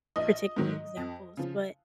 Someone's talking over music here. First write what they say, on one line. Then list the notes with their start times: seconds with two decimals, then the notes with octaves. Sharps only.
particular examples- but
0.16 A#1 D#5
0.56 G#2 D#3 F#3
0.97 F2
1.37 C#3 F3